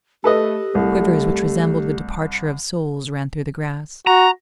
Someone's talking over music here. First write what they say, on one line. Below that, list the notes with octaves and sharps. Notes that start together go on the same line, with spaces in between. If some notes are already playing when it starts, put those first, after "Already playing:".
Quivers which resembled the departure of souls ran through the grass.
A3 G4 A4 B4 D#5
C2 A3
F#4 A#5